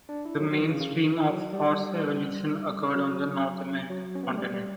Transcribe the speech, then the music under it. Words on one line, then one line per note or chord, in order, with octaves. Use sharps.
The main stream of horse evolution occurred on the North American continent.
D4
E4
F#3
F#3
E3
C#3
C#3
D3
E3
F#3
G3
F#3
F#3
C#4
B3
A3
G3
G3